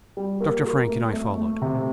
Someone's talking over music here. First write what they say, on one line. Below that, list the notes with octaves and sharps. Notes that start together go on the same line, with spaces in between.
Dr. Frank and I followed.
G3
A#3
A#4
A3
A3
A3
C3